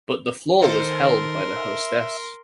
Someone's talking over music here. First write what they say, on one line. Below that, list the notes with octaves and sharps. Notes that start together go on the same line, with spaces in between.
But the floor was held by the hostess.
D#3 D#4 A4 A#4 C5 C6
E5